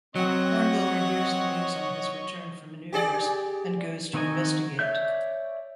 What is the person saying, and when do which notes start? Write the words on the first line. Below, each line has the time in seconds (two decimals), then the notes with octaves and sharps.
Hornblower hears the news on his return from manoeuvres and goes to investigate.
0.16 F#3 C4 C#5 D#5 F#5 C#6
2.93 G4 G#4 D5
4.14 D#3 C4 F#4 D#5 G#5
4.79 C#5 D5 E5 G6